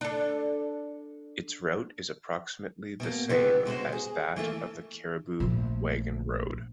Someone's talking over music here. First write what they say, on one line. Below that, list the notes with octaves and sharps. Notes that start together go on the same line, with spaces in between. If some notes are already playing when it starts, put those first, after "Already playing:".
Its route is approximately the same as that of the Cariboo Wagon Road.
D4 A4
B2 A#3
C3 E3 B3 C#4 D4
B2 G#3 F#4 C5
G#4
E3 A3 A#3 F4
A#1 A3